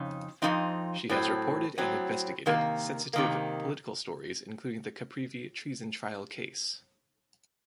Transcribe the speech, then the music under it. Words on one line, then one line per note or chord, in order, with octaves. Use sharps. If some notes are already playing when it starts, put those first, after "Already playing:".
She has reported and investigated sensitive political stories including the Caprivi treason trial case.
Already playing: F2 C#3 D#4
F2 C#3 F3 C4 D#4
A2 F#3 C4
A2 F#3 C4
C3 D#3 A#3
C3 D#3 A#3